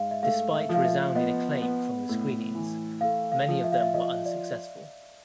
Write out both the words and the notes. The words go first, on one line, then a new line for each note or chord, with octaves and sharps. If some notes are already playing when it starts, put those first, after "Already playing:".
Despite resounding acclaim from the screenings, many of them were unsuccessful.
Already playing: G#2 F5
E5
A3 F5
E5
F3
F5
E5
B3 D#5
B3
A2
E3
A3 F5
F5
F3
E5
F5
E5
F3 D#5
D5